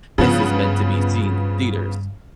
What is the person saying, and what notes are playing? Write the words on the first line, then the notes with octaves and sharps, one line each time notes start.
"This is meant to be seen in theaters."
G2 C#3 F3 B3